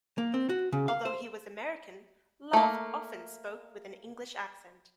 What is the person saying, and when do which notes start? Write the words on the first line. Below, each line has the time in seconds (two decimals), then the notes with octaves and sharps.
Although he was American, Love often spoke with an English accent.
0.18 A#3
0.34 C4
0.49 F#4
0.72 C#3
0.88 F5
1.05 C5
2.53 A3 A#3